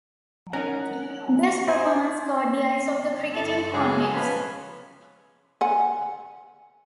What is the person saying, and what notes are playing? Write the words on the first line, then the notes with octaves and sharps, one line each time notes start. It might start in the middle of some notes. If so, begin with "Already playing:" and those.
This performance caught the eyes of the cricketing pundits.
C#4 D#4 A#4 F#5
C5 D5 G#5
A4
C#3 F#3 G#3 G#4
F3 C#4 B4
F#5 G#5